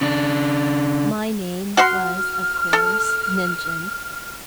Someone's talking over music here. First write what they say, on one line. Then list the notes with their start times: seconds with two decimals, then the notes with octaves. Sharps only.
My name was, of course, mentioned.
0.01 C#3 D4
1.77 F#4 F#5 C6 F6
2.73 A4